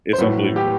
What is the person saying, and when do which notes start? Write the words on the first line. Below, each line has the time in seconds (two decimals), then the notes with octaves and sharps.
it's unbelievable,
0.13 C5
0.18 A2 F#3 B4
0.56 G4